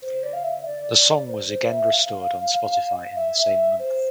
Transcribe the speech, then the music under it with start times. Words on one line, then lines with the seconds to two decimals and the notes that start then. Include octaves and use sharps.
The song was again restored on Spotify in the same month.
0.02 C5
0.23 D5
0.33 F5
0.43 E5
0.65 D5
1.27 C5
1.49 C5
1.69 E5
1.91 F5
3.15 E5
3.79 C5